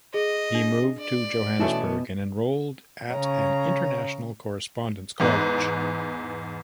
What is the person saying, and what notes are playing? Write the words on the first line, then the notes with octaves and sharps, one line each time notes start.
He moved to Johannesburg and enrolled at an international Correspondence College.
G#4 D#5
D4
D5
B2 E3 A3 B3 C#4 E4 F#4 A5
C#3 C#5 A#5
E2 G#2 B3